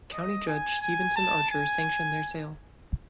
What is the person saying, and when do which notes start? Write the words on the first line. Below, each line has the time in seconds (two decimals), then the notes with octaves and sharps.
County Judge Stevenson Archer sanctioned their sale.
0.13 D#5
0.48 G#5
0.81 G#5
1.16 A5
1.51 G#5